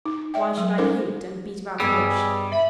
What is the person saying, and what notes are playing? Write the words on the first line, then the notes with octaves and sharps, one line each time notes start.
Why should I hint, and beat about the bush?
D#4
D5 E5 G5
F#3
G3 C#4 D#4 A4 A#4 C5
G2 G3 B3 G#4 D#5 E6
E5 B5